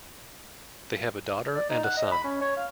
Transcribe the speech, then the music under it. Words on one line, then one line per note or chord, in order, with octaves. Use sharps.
They have a daughter and a son.
D5
D#4
F#5
D#5
B5
C#4
C#5
F5